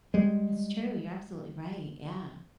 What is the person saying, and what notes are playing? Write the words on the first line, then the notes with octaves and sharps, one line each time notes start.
That's true, you're absolutely right, yeah.
G3 G#3